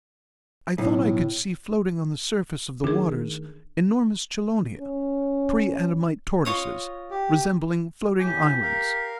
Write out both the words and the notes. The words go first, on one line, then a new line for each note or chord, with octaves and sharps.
I thought I could see floating on the surface of the waters enormous chelonia, pre-adamite tortoises, resembling floating islands.
B1 A2
D#3 A3 D4 G#4
C#4
F4 C#5 D#5
G4
A2 G4 G#5
A#4 F5